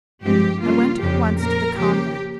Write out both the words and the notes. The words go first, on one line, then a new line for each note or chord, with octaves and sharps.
I went at once to the convent.
G2 F3 G#3 C4 G4
C#3 G3 A#3 F4
F2 C#3 F3 G4
A#2 F3 A#3 A#4
C#3 F3 A#3 G4